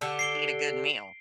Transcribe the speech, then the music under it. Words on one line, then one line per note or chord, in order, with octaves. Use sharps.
eat a good meal.
D3 G4 A4
C7 D7 G7